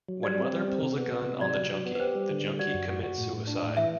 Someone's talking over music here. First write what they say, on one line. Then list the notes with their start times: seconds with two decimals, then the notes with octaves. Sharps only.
When Mother pulls a gun on the junkie, the junkie commits suicide.
0.09 F#3
0.23 G3 D5
0.38 C4
0.53 G3
0.68 C4
0.82 C3
0.97 B3
1.12 C3
1.26 C3
1.41 F#3 D5
1.56 F#3
1.71 F#3
1.86 B3
1.95 B4
2.00 G4 C5
2.15 G3
2.30 D3
2.44 G3
2.59 F#4 D5
2.74 F#2
2.89 F#4
3.03 F#4
3.18 A2
3.33 A2
3.47 D4
3.62 A2
3.77 E3 E5